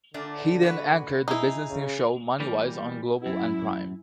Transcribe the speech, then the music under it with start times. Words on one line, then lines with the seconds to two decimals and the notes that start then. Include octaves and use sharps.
He then anchored the business news show "MoneyWise" on Global and Prime.
0.14 A#2 D3 A3 D4
0.63 F#4 B4
1.28 D#4 E4 G#4
1.70 C#3
2.40 E3 G3 A#3
3.26 F#2 E4